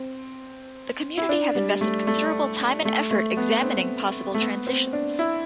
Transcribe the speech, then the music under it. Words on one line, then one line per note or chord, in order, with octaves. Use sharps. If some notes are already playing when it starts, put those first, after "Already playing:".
The community have invested considerable time and effort examining possible transitions.
Already playing: C4
E4
D4
G3
A3
A3
A3
A3
B3
C4
A3
B3
C4
D4
E4